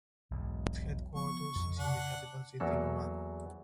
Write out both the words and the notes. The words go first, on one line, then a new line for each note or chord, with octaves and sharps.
Its headquarters is in the capital city Bamako.
E1 B1 G#2
F3 B3 C#6
F2
C#3 D4 F#5
E2 F#3 A#3 A4